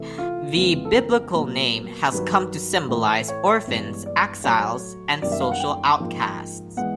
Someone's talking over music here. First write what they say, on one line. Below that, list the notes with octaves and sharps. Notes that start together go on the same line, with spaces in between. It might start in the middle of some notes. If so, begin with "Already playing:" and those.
The Biblical name has come to symbolize orphans, exiles, and social outcasts.
Already playing: C3 E3 A3
F4
F2 C#3 E3 G#3 B3
A4
A#4
A#2 F#3 B3
G2 D#3 F#3 B4
A2 E3 A3
C#5
G2 E3 G#3 B3
D5
A2 F#3 A3 C#5
F#2 D#3 G3 A#3 D5
E5
F5
F#5
G5
G#2 F3 A#3
E3 G#3 B3 F#5